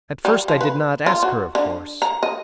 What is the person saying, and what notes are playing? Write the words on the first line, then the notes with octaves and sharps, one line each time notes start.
At first I did not ask her, of course.
G3
F3
B4
F4
F#4
D3
A#5
D#5